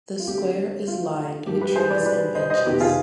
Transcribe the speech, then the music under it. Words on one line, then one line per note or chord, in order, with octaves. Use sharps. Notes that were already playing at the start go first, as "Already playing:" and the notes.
The square is lined with trees and benches.
F4
D2 D3 G3 C4 G4
F4
G2 F3 G#3 G4
G4 B4
G#4 C5
B4 D5
B4 D5
C5 D#5
C5 D#5
F2 C3 D#3 B3 G4 B4
F4 G#4